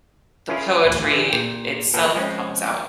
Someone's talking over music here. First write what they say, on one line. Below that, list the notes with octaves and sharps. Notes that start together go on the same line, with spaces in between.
the poetry itself comes out
C#4 E4 F4 G#4 A#4
A1 D2
D3 E3 F4 G#4
A#2 G5
F3 A#3 G#4 A4 B4 G5
F3 G#3 C4 C#4